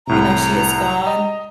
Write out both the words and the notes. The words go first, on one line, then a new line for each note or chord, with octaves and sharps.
you know, she is gone.
C2 A2 C3 A#5
D#5